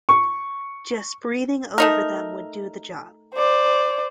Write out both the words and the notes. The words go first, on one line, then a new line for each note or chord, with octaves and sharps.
Just breathing over them would do the job.
C#6
A3 D#4 A#4
C5 D5